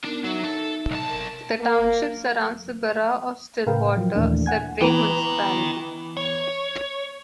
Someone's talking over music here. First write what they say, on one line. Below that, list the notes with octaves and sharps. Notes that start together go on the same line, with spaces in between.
The township surrounds the borough of Stillwater, a separate municipality.
B3 D4 D#4 A#4
F#3 D#4 E5
A4
B1 A5
A#4
A#3
A2 C#3 A#4 B4 F5 G5
F3 F#3
D#2 A#2 E3 A3 A#3 D4
F#5 G#5 G#6
E3 B3 G5 A#5
C#5